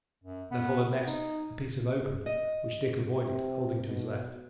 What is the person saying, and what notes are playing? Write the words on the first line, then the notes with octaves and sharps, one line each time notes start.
There followed next a piece of open, which Dick avoided, holding to his left.
F#2
B3
B3
D#4
D#5
C3
B2